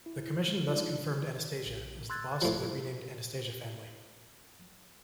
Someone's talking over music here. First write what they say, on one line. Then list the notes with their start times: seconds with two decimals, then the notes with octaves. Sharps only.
The Commission thus confirmed Anastasia as the boss of the renamed Anastasia family.
0.06 E4
0.48 G#3
0.67 D4 D#4 F4 D5
1.06 D#3
1.66 A#1
2.10 C6 E6 F#6 G#6 A6
2.42 A2 F3